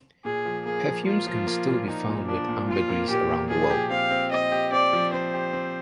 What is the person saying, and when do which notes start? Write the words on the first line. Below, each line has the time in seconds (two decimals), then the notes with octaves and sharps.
Perfumes can still be found with ambergris around the world.
0.25 A#2 G#4
0.45 F3
0.65 A#3 G#4
0.86 F3
1.06 A#3 F4
1.27 F3
1.47 A#3
1.67 A#2
1.87 A#2 D#4
2.08 A#2
2.27 F3 D4
2.48 A#2
2.68 A#2 F4
2.90 A#3
3.09 A#2 G4
3.30 A#2
3.50 F3 G#4
3.70 G4
3.91 C4 F5
4.11 C4
4.32 C4 D#5
4.52 G4
4.72 C4 D5
4.93 F3
5.13 C4 C5
5.34 G4
5.53 C4